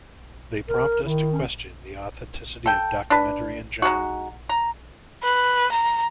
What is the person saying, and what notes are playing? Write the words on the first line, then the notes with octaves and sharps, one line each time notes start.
They prompt us to question the authenticity of documentary in general.
A#4
D#3 E4
C#4
A4 G5
D4 B4
G#3 D4 D#4 F#4
A#5
B4
A#5